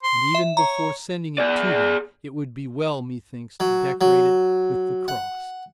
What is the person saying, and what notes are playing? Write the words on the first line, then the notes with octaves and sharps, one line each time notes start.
And even before sending it to them it would be well, methinks, to decorate it with the Cross.
C6
E5
C#5 A#5
G#4 D5
F#3
F#3
F#5